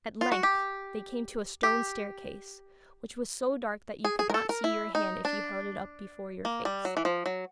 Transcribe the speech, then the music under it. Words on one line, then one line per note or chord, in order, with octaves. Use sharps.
At length they came to a stone staircase, which was so dark that you could not see your hand if you held it up before your face.
F4
F#4
G4
G4
G#4
G#4
A#4
A4
A#4
E4
D#4
D4
A#3
G3
F#3
E3
F3
F#3